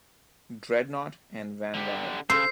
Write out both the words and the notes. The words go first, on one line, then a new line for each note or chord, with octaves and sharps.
"Dreadnought" and "Vanguard".
D3 G4
C#3 C5 E6 C7